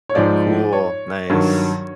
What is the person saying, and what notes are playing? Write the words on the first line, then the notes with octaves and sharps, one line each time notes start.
Oh, cool. Nice.
C#5
G#2 F3 D5
C#5
G2 D#3 F#3